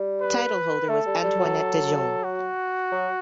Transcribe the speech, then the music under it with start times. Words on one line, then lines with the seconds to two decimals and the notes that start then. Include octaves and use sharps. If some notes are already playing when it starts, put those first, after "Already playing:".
Title holder was Antoinette de Jong.
Already playing: G3
0.21 B4
0.88 A3 A4
1.06 G3
1.23 G3
1.40 F#3
2.24 F#4
2.92 F#3